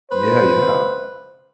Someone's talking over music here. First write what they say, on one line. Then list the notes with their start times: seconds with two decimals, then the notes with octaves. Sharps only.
Yeah, yeah.
0.11 B4 C5